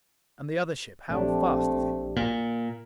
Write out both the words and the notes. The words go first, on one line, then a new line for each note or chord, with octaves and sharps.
"And the other ship--how fast is it?"
A#1 A3 C4 D4 G4
A#2